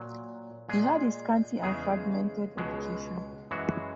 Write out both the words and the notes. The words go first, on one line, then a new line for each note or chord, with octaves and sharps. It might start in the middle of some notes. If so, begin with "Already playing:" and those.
He had a scanty and fragmented education.
Already playing: A#2 F#3
A#2 G#3 G#4
E2 C#3 G#3 G#4
C#2 B2 G#3
F#2 E3 G#3 F#4